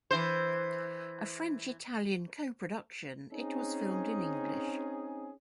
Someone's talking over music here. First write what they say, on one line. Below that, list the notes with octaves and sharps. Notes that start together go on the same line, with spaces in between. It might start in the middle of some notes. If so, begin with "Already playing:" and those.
A French-Italian co-production, it was filmed in English.
E3 C5
C4 C#4 D#4 G#4